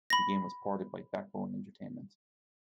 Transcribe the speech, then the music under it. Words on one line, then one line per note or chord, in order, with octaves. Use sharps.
The game was ported by Backbone Entertainment.
B5 A#6